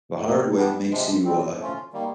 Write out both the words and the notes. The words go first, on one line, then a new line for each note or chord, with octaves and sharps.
the hard way makes you, uh,
D#2 D#3 F#3 A#3
E3 G3 B3 D4
C3 F3 G#3
B2 G3 C4
F3 A3 C#4 F4
D#3 G3 A#3